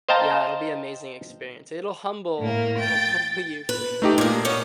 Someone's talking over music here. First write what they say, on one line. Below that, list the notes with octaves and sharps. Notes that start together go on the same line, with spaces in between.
yeah, it'll be amazing experience. It'll humble it'll humble you for sure.
C5 D#5 F5 G5 A5 A#5
A2 A#3
G5 A6
B4
A3 D#4 G4
A#2 D4 G#4 A#4
B3 C#4